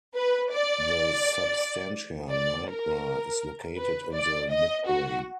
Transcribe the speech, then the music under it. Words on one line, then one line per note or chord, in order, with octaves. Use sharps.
The substantia nigra is located in the midbrain.
B4
D5
D5
A#4
B4
D5
D#5
F#4